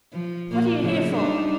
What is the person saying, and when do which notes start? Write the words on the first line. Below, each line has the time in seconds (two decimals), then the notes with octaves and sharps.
"What are you here for?"
0.12 F3
0.49 A#2 A#3
0.81 A2 C#3 F3
1.11 G3 D4 D#4